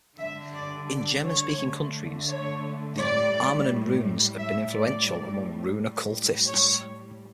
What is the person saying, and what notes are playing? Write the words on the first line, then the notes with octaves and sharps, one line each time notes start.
In German-speaking countries, the Armanen Runes have been influential among rune-occultists.
D3 G3 E5
D5
D5
C#5
D3 A3
C#5
A2 G3 D5
A2 G3 E5
D5
A2 G3
C#5